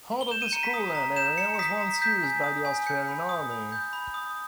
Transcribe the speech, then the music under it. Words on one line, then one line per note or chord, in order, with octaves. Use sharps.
Part of the school land area was once used by the Australian Army.
G7
G6 E7
D#7
A#5 C#7
B6
D#6
A#5
G6 E7
A#5 C#7
C#7
D#6 B6
A#5
G6 B6
G#5
D#6
G#5
G6 C#7
B5
D#6
B5
G6
B5
D#6